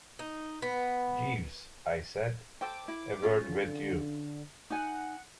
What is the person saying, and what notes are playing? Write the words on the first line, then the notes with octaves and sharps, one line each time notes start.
"Jeeves," I said, "a word with you."
D#4
B3
A4 C5 G5 D6
E4
C#4 F4
D3
D#4 F#5 G#5